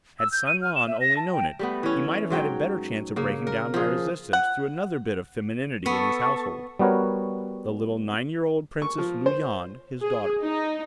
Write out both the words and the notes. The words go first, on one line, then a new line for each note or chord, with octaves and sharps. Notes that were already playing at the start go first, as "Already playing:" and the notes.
Had San-Lan only known it, he might have had a better chance of breaking down my resistance through another bit of femininity in his household, the little nine-year-old Princess Lu-Yan, his daughter.
E6
G6
D#7
F6
E7
E5
A#6
A5
G5
G3 A3 B3
E3 C#4
G#2 F#3 G5
C#3 A#3
A#4
F3 G#4
F#5
B3 A4 C#6
G3 B3 F#4 A#4 C#5
C#6
F3
C5
G#4
D#4